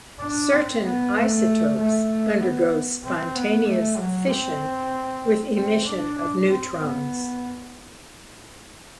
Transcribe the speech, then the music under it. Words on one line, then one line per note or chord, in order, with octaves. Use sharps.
Certain isotopes undergo spontaneous fission with emission of neutrons.
D4
C4
B3
A3
A3
B3
C4
B3
A3
F#3
C4
C4
D4
D4
C4
B3